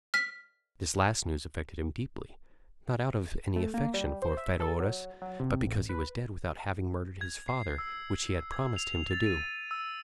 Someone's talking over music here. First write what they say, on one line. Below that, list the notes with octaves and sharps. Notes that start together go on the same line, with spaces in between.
This last news affected him deeply; not out of any affection for Pheroras, but because he was dead without having murdered his father, which he had promised him to do.
F6 B6
A3
A#3
G3
C5
E5
A4
F#3
F#3
C3
A1
B4
G#6
C7
E6
G#6
F7
A6
D#7
E6